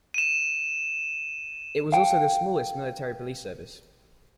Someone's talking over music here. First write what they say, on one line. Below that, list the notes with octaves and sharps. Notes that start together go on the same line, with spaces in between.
It was also the smallest military police service.
D#7 E7
F5 G5